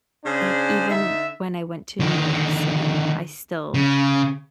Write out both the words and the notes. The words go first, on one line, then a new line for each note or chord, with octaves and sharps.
like, even when I went to New York City, I still
C#3 D4 G#4 C5
D3 D#4 E5
D3 D#3
C#3